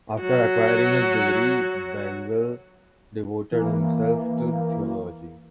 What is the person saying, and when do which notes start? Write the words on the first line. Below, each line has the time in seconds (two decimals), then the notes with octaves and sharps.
After acquiring his degree, Bengel devoted himself to theology.
0.21 F#3 F#4
3.51 E3 A#3